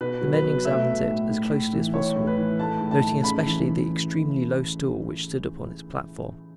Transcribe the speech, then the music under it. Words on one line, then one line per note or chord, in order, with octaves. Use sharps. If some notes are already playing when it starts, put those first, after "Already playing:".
The men examined it as closely as possible, noting especially the extremely low stool which stood upon its platform.
B2 B4
F#3
B4
B2
A3 E5
A3
A2
A2
A2
E3
A2 C#5
A2
B4
E3
A3 A5
A2
A5
A3
C#3 B5
E3
E3